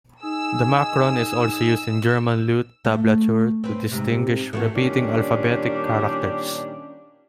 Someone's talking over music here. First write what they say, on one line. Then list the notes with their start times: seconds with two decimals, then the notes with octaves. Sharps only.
The macron is also used in German lute tablature to distinguish repeating alphabetic characters.
0.23 D#4 G#4 E6
2.85 A3
3.64 C4 B4
3.91 G#2 C3
4.53 A2 E3 F#4
4.76 A#2 D#3 G3 C#4 D4